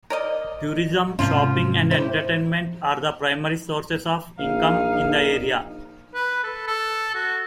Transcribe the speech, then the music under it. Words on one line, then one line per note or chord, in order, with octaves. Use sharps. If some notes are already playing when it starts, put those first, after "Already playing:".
Tourism, shopping, and entertainment are the primary sources of income in the area.
A#4 D5 D#5
G#2 C3 F3 A#3 C#4 F4
E4 G4 C5
A#1 D#4 F5
B4
A4
A4
F#4